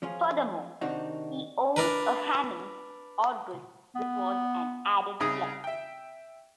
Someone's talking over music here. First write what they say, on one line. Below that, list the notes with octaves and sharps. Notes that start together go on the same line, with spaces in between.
Furthermore, he owned a Hammond organ, which was an added plus.
F3 C#4 F4 G#4
C3 D#3 C4 D4 D#4 F#4
D4 A#4 B4
B3
C2 C#3 D#4 G#4 D#6
E5 G5